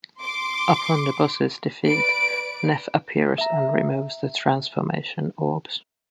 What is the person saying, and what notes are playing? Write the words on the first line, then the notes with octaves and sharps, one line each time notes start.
Upon the boss's defeat, Neff appears and removes the transformation orbs.
C6 D6
B4 D5 D7
E5 A#5